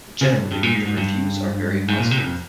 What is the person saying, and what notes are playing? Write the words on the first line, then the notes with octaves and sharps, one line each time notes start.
Generally the reviews are very positive.
C#3
G2
G2
A#2
G#2
G#2
G2
G#2
A#2
C3
F2